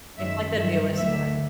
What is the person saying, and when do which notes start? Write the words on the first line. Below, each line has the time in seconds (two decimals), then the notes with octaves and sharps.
It's, like, the newest one.
0.18 F#2 D#3 G#3 E5
0.57 G2 D#3 F#3 E5
0.95 D2 D3 F#3 E5